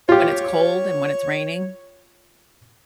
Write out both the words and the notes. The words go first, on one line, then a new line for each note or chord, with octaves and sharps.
When it's cold and when it's raining?
F4 G4 C#5